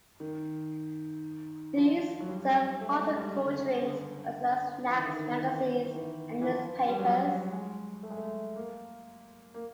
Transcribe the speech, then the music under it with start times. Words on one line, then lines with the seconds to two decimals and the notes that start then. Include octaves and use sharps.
These serve hot and cold drinks as well as snacks, magazines and newspapers.
0.20 D#3
1.76 F3
2.20 F#3
2.29 G3
2.81 A3
2.98 G#3
3.16 G3
3.34 C#3
3.46 D3
3.59 D3
3.72 C#3
3.86 D3
4.90 E3
4.97 D#3
5.05 D3
5.13 D#3
5.43 E3
5.85 D#3
5.94 E3
6.42 E3
6.46 F3
6.88 G3
6.99 F#3
7.51 G#3
8.03 A3
8.10 G#3
8.17 A3
8.56 A#3
9.54 A#3